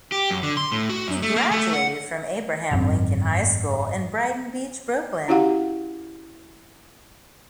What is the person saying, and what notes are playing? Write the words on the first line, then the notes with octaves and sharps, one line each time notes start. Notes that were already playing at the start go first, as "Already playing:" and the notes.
He graduated from Abraham Lincoln High School in Brighton Beach, Brooklyn.
G4
F#2
D3
C6
A2
F#4
F#2
A3
A#3
A3
F#5
G#1 F#2 A#2 C4
C#4 E4 F#4 G4 F5 F#5